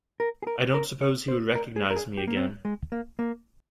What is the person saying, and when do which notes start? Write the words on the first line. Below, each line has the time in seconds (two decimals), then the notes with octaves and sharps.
I don’t suppose he would recognise me again.
0.20 A#4
0.42 G#4
0.47 A#4
0.74 A#4
1.01 C#5
1.28 C5
1.55 A#4
1.76 G#4
1.91 A#4
1.96 G#4
2.17 G4
2.28 A#3
2.37 C4
2.65 G#3
2.92 A#3
3.19 A#3